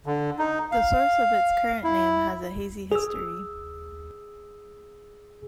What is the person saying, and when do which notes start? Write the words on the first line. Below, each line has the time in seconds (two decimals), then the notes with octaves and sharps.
The source of its current name has a hazy history.
0.06 D3
0.39 D#4
0.72 F5
1.84 E4
2.92 G#4 E6